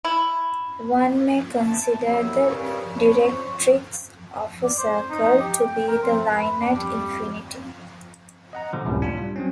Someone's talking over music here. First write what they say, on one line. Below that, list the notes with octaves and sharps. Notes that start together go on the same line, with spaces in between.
One may consider the directrix of a circle to be the line at infinity.
E4
E4 A5
C2 F#3 E4
G2 A#2 C#3
C#4 D4 E4 C5 C#5
C5 C#5
D5
C5
D#4
G4
G5
A#4
C4
B4
D4
G3
D#5 F#5 A#5
A#2 D3 F3
C#2 F#2 A2 C3
D4 F4
G3
F#3 C4 C#4